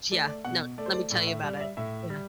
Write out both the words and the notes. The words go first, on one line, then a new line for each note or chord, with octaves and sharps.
yeah, no, let me tell you about it, yeah.
A3 D5
D5
B2 F#5
A3 D5
C5
D5
A2 D5
E5
G3 D5
D5
E5
A2 E5
G3